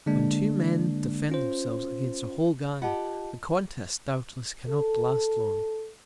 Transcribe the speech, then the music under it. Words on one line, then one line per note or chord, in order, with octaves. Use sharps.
When two Men defend themselves against a whole Gang, the Contest, doubtless, cannot last long.
D3 G#3 A#3 D4
C#4 F4 C5
F4 G4 D#5 F#5 A5
A4